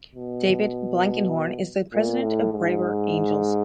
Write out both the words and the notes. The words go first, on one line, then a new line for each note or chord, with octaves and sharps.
David Blankenhorn is the president of Braver Angels.
B2
A#2
A2
G#2